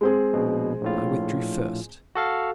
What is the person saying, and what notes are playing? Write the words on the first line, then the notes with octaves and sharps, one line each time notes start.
I withdrew first.
G#3 C4 G#4
A#1 B2
A#1 A2 F4
F#4 A4 F5